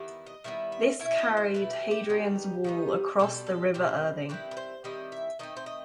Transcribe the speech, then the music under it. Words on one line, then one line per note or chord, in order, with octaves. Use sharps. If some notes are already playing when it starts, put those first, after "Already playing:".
This carried Hadrian's Wall across the River Irthing.
Already playing: D#3 G3 B3 E4
D#5
D#3 G3 B3 E4 E5
E5
B2 A3 E4 E5
D#5
C5
B2 A3 E4 B4
G4
G4
D#3 G3 B3 D#4
D#3 G3 B3 D#4
B2 G3 C4 A4
A4
B2 G3 C4 C5
D#3 G3 C4 E4 B4
B4
C5
D#3 G3 C4 E4 D#5
E5
D#3 A3 C4 D#5
C5
D#5